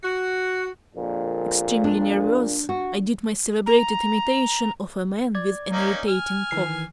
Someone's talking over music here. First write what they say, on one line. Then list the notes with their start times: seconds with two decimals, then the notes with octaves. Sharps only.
Extremely nervous, I did my celebrated imitation of a man with an irritating cough.
0.03 F#4
0.95 A#1 F2 A#2
1.84 D4
2.69 F#4
3.66 A#5
5.35 D5 G#6
5.72 A#3 C#4 D#4
6.08 G#5 F6
6.51 D#3 E3 C7